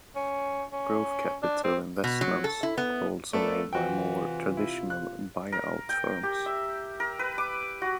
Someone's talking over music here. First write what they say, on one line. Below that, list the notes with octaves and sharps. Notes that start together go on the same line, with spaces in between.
Growth capital investments are also made by more traditional buyout firms.
C#4
C#4
D4
C4
B2
F#3
A4
E4
B3
A3 B3 F4 A4 A#4 D5
C3 E3 F4 F#4 G5
E4
F#6
A#4
G5
G4
E5
A#4
B4
D6
F#4